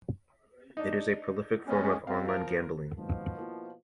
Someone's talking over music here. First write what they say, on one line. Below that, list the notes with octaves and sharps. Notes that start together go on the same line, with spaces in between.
It is a prolific form of online gambling.
D4 D#4
G#3 B3 C#4
G#3 C4 F5
F3 F4 A#4
F#1 G#2 B2 D#3 F3
A#3 E4 F4